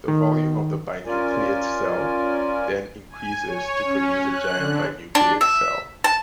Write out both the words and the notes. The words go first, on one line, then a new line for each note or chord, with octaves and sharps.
The volume of the binucleate cell then increases to produce a giant binuclear cell.
D#3
C#4 F4 A#4 D5 G#5
G#5
C#5
C#4
F#6
D3
D4
E5
A5